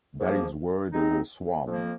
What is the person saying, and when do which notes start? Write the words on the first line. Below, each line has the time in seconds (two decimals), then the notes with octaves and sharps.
That is where they will swarm.
0.20 G#2 F3 A#3
0.93 G#3 C4 D#4
1.67 F2 F3 A#3